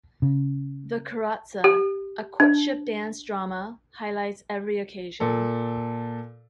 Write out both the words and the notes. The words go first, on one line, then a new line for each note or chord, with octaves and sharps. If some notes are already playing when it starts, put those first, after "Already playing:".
The "kuratsa" - a courtship dance-drama - highlights every occasion.
C#3
G4
D4
A#2 A4